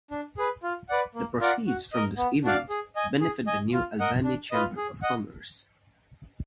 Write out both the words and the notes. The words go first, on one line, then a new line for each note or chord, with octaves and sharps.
The proceeds from this event benefit the New Albany Chamber of Commerce.
D4
G#4 B4
F4
B4 D5 F#5
A#3
F4 A#4 D5 F#5
F#4
A#4 D#5
B3
D4 F#4 D5 F5
G#4
D#5 G#5
G#4
D#5 G#5
F4
A#4 D#5 F#5
D4
F4 B4 D#5
G#4
D#5 F#5